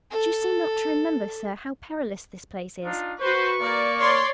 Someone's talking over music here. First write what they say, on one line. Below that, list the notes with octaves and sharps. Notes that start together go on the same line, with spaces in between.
But you seem not to remember, sir, how perilous this place is.'
A4
D4 D#4 F4
F#4 B4 C5 C#6
A#3 D5
C#5 D5 C6